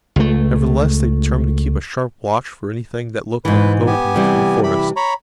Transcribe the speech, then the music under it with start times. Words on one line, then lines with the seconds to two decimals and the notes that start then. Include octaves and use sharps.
Nevertheless they determined to keep a sharp watch for anything that looked like an opening through the forest.
0.16 C#2 A3
3.45 G#2 E3 B4
3.87 B3 G4 G#5
4.14 C3 E3 G3
4.64 E4 G4 B5
4.96 C#5 A#5 B5